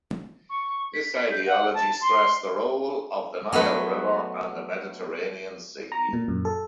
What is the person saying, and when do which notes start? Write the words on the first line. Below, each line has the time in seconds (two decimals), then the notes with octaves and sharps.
This ideology stressed the role of the Nile River and the Mediterranean Sea.
0.50 C#6
0.94 B6
1.31 G6
1.46 F#5
1.74 A5
2.01 C6
3.52 F#3 A3 B3 B4
5.92 A#5
6.13 A#2
6.28 F#2
6.45 A4